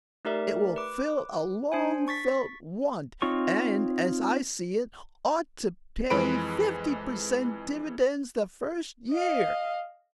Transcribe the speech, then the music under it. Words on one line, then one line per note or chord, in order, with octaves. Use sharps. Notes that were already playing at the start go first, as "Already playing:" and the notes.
It will fill a long felt want, and, as I see it, ought to pay fifty percent dividends the first year.
A3 D#4 G4 A#4 D5 E5
B4 D6
D4 C5 G#5
C#6 A6 B6
C4 D#4 F4 C#5 C#6
F2 E3 G#3 B4 B5 D7
D#5 F5